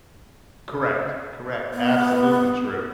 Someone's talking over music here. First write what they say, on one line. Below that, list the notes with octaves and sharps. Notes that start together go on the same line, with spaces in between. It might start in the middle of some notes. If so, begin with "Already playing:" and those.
Correct, correct, absolutely true.
B3